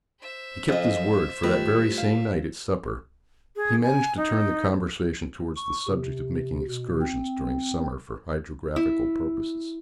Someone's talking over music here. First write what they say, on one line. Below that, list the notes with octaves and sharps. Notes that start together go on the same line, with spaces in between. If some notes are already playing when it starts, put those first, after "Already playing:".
He kept his word, for that very same night, at supper, he managed to turn the conversation towards the subject of making excursions during summer for hydrographical purposes.
C5 E5
F2 F4 D#5
D#3 G3 A3 F4 B4
F5
G#4
G#5
D#4
C#6
C3
B2
C4
E4